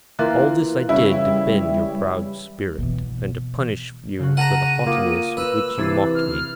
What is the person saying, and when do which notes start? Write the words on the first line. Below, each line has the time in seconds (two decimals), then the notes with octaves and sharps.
All this I did to bend your proud spirit, and to punish you for the haughtiness with which you mocked me.'
0.19 E3 A#3 F4 F#6
0.89 C#3 G3 C#4 E4
2.78 B2 E3
4.19 C#3 F#4
4.37 A#4 F#5 A5 A#5 C#7 D#7
4.87 A#3 F4 D6 D#6
5.37 B4 E6
5.78 C3 E3 G#6 A6 C7
6.15 F6